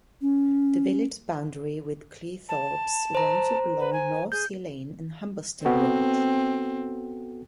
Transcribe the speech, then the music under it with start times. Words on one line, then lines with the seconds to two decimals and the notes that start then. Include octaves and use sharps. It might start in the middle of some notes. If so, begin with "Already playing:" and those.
The village's boundary with Cleethorpes runs along North Sea Lane and Humberston Road.
0.21 C#4
2.49 A5
3.15 C5 A#5
3.80 B4
3.93 G#5
4.32 G#4 G6
5.65 B3 C4 F#4 A4